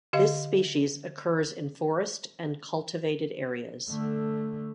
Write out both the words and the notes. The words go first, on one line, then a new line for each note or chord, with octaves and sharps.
This species occurs in forest and cultivated areas.
D3 G4 D#5 F5
D3 A3